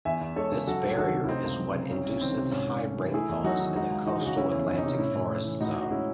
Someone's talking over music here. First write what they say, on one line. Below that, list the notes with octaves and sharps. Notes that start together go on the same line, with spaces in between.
This barrier is what induces high rainfalls in the coastal Atlantic forest zone.
E2 E5 G#5
E2
G#3 A4 C#5
C#3
F#3 F#4 A4
C2
D#3 F#4 A4
C3
E4
A3 C4 D#4
C#2
F#3
C#3
C2 C#4
C2 C#4
D#3 C4
C3
G#2 C#4
G#2
A3 C#4
E3
A3 E4 G#4
E2
F#3 D#4 F#4
D#3
G#3 D#4 F#4
C#2
E3 D#4 F#4
C#3 F#4
A3 C#4 E4
E2
D#3 C#4
D#4
C3 C#4
A2 C#4 E4
A2
A3
E3
A2 D#4 F#4
A2 F#4
G#3 C#4 E4